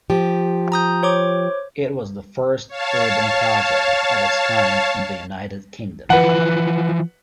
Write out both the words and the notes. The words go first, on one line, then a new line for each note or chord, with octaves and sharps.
It was the first urban project of its kind in the United Kingdom.
F3 G4
A#5 D#6 G6
C5 C#5 D6
C#5 F5 A5
E3 F3 B4 F#5